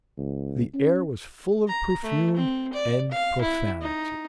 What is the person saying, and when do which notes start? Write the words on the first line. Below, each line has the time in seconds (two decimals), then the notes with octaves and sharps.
The air was full of perfume and profanity.
0.17 C#2
0.74 C#4
1.68 A#5
2.03 A3
2.36 C4
2.73 D5
3.11 F5
3.41 E4
3.81 D#4